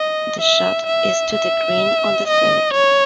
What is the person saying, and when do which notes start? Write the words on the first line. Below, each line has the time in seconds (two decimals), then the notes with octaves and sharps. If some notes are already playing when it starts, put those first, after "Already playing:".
The shot is to the green on the third.
Already playing: D#5
0.41 E5
0.87 E5
1.33 E5
2.28 D#5
2.74 C#5